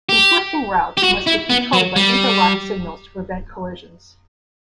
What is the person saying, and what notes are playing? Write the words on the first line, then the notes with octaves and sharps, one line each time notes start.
Conflicting routes must be controlled by interlocked signals to prevent collisions.
G4
G4
F#4
E4
B3
F#3
G3